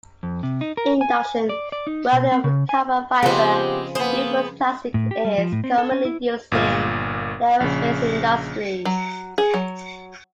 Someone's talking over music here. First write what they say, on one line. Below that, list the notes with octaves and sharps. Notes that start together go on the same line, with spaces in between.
Induction welding of carbon fiber reinforced plastics is commonly used in the aerospace industry.
F2
C3
D#4
A#4
G#5
D5
D5
D#4
B2
C4
C#3
G#5
C#3 F3 G#3 B3 C4 G4 B4 C5
A#3 B3 G#4 C5
A2
G4
G3
F3
A2
C4
A4
C#4
E4
G1 A#2 F5
A#1 C#3
F#3
G#4
F#3